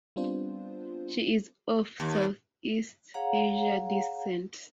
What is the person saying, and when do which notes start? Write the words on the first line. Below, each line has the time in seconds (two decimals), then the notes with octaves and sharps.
She is of Southeast Asian descent.
0.16 G3 B3 C4 D4 F4 C5
2.00 D#2
3.14 G#4 C#5 F5 F#5 A#5